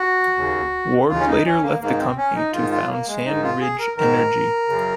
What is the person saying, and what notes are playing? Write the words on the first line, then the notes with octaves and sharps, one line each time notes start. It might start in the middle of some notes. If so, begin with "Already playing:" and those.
Ward later left the company to found SandRidge Energy.
Already playing: F#4
D#2 C#3
D#2 C#3 F4
C#4
D#4
C#4
A#3
G#2 D#3 A#3
C4
C#4
D#4
G#2 D#3 F4
F4
A#3
G#3
G#2 D#3 D#4
F4
G#4
A#4
G#2 D#3 A#4
F#2 C#3